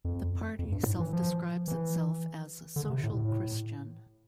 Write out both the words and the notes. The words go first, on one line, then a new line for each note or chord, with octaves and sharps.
The party self-describes itself as "social Christian".
F2
F2
G2
A2
E3
F3
E3
D3
C3
A2
A2